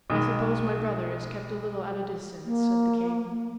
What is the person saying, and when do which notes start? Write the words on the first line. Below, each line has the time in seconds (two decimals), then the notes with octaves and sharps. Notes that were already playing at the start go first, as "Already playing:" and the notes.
"I suppose my brother is kept a little at a distance," said the king.
0.10 B1 D#3 G#3
2.45 A#3